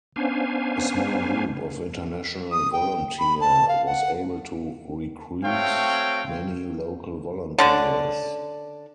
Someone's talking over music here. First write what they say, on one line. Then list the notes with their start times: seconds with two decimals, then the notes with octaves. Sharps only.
A small group of international volunteer was able to recruit many local volunteers.
0.16 B3 C#4 D4 C5 F5 G#5
2.52 D#6
2.73 G5
3.19 B5
3.41 A5
3.68 F5
3.86 F#5
5.44 A3 C4 F#4 C#5 F5 G5
7.58 D3 C#4 D4